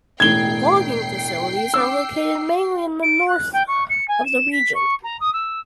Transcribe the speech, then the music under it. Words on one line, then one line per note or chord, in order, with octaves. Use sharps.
Logging facilities are located mainly in the north of the region.
E1 A2 G5 G#6 C7 G7
D6 E6
D7
F#6
G5
C#6
C#7
G#5
E7
B6
C#6
A#5
D#6
E6